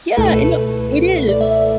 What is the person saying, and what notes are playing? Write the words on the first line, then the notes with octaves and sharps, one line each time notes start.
Yeah, and o it is.
C#2 B2 A3 E4 A4
B4
A4
D5
E5